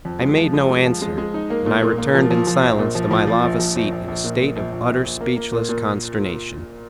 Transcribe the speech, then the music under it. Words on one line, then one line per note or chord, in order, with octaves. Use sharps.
I made no answer; and I returned in silence to my lava seat in a state of utter speechless consternation.
F2
G#3
F3
G#3
G#3
F3
G#3
G#3
D#4
A#3
A#2
A#2
A#3
F3
F3
F3
A#1
A#2
F3
F3
F3
A#1
F3
A#1
A#1
A#1
A#2
A#2
A#1
A#1
A#1
A#1
A#3
A#3
A#2
A#2